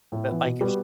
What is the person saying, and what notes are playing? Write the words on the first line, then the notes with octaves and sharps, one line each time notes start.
but, like, if sh
A2
E3 B3
B2
G3 B3 F#4